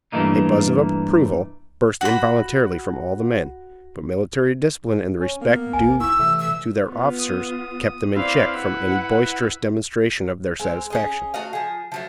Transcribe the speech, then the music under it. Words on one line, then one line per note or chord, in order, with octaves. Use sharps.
A buzz of approval burst involuntarily from all the men, but military discipline and the respect due to their officers kept them in check from any boisterous demonstration of their satisfaction.
G2 E3 A3 A#3 D#4
F#4 B5
C#4
A#3 B3
A1 D2 G#5
G1 E4 C#6 E6
C3 E3 A3
E6
B3 F4
D#6
C4 E4 B4 D5 F5
E4 B4 F#5
G#3 C4
C#4 G#4 D#5
A3 F#4 D#5 F5
F3 G#4
F3 F#3 A3